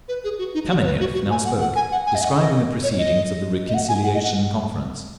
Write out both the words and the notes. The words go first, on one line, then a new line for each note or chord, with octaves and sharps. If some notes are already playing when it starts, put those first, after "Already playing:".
Kameniev now spoke, describing the proceedings of the reconciliation conference.
B4
G#4
F#4
D#4
F#4
C#5
B4
F#4
F#4
G#5
F#5
F#5
G#5
F#5
G#5
D#5
F#5
D#5
C#5
D#5
D#5
F#5
G#5
F#5
D#5
F#5